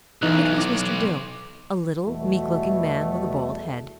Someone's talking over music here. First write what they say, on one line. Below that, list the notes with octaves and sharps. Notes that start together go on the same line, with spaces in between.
It was Mr. Dill, a little, meek-looking man with a bald head.
B1 E3 D#4 F#6
D6
E2 B2 E3 G3 A3 F#4